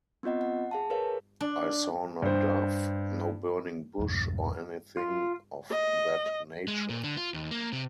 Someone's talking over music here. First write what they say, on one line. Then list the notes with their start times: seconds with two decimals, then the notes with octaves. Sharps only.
I saw no dove, no burning bush or anything of that nature.
0.23 B3 C4 F4 D#5 F#5
0.41 F#5
0.71 G#4 F5 A5
0.90 G#4 A#4 B4 C#5 F5
1.41 D4
2.22 G2 C5
3.99 E2 G2 B2
4.97 F4
5.71 D#5
6.68 G#3
6.90 A#2
7.04 D3
7.17 F4
7.34 D#2
7.51 A#3
7.73 C3